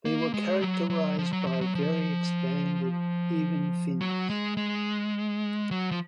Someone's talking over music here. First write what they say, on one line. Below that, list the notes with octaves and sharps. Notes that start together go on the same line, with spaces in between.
They were characterized by very expanded even fins.
A#3
G#3
F#3
F#3
F3
F#3
F3
F#3
F3
F#3
G#3
G#3
F#3
F3